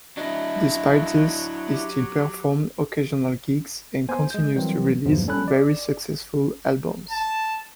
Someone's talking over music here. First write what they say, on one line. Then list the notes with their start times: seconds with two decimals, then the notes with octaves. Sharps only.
Despite this, he still performed occasional gigs and continues to release very successful albums.
0.17 F#3 D4 E4 D#5
1.70 G4
4.08 A#3 B3 C5 G#5
4.30 G#3 G6
4.55 E3 F#3 G3 C4 A#4
5.06 E2 G2 B2 F3 F#3
5.28 G3 C#4 A4 C#5 B5 F#6
5.48 D5
7.10 A5